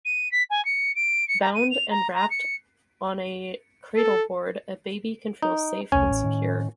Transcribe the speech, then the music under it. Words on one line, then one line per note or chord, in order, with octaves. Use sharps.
Bound and wrapped on a cradleboard, a baby can feel safe and secure.
D#7
B6
G#5
C#7
D7
C#7
A#5
D#7
F7
A#5
A#5
C#7
A4
D#4
E1 C2 A3 C#4 G#5
A1
A2 D#3